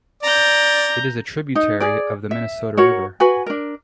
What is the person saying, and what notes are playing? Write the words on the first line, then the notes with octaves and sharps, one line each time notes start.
It is a tributary of the Minnesota River.
D5 A#5 G6
D#4
G#4 D5
E5
F#4 A#4 C#5
F#4 B4 G#5
D4 A#4